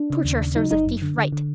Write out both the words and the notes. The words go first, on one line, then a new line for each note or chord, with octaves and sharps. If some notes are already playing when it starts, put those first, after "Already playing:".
Torture serves a thief right.
Already playing: D4
C#3
D#2
C#3
F#3 D#4
G1 D#4
F#2
D3
D3
D3